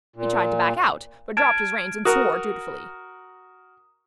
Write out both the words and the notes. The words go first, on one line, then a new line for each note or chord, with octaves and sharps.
He tried to back out, but dropped his reins and swore dutifully.
A#2
A5 F6 G#6 D7
F#4 A#4 D#6